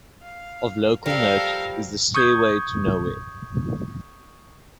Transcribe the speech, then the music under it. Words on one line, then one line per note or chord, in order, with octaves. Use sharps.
Of local note is The Stairway to Nowhere.
F5
F3 G3 A4 A#4 F5
C#6 D#6 G6 G#6